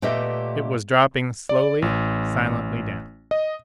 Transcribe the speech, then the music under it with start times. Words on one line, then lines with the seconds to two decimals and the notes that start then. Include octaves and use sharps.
It was dropping slowly, silently down.
0.02 A#2 A3 G4 B4 D#5 E5
1.49 D5
1.82 A1
3.31 D#5